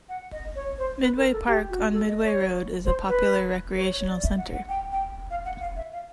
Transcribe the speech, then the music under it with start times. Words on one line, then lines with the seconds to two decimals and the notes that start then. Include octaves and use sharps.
Midway Park on Midway Road is a popular recreational center.
0.09 F#5
0.32 D#5
0.56 C#5
0.78 C5
1.01 B4
1.17 A#4
1.32 A4
1.47 G4
1.70 F#4
1.93 A4
2.08 D#5
2.24 C#5
2.85 C5
3.08 B4
3.77 C#5
3.92 C#5
4.08 D5
4.23 E5
4.38 F#5
4.53 F#5
4.69 G5
4.92 G5
5.31 F5
5.45 F#5
5.60 F5
5.76 E5
5.92 F5